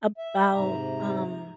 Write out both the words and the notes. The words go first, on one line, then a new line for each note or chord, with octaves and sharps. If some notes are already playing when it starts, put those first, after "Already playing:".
about, um
E5
G#2 C3 A#5